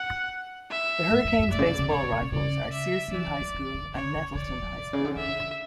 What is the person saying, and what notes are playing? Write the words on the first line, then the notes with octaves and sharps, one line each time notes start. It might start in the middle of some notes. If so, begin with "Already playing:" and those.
The Hurricanes baseball rivals are Searcy High School and Nettleton High School.
Already playing: F#5
E5
A2
G2
F#2
A2 D5
C#3
B2
C#3
B2 C#5
C#3
B2
C#3
C#3 D5
E5
F#3
E3 D5
E3
F#3
E3
D3
D3 C#5
C#3
D3 D5
E3
F#3
B2
C#3
D3
E3 E5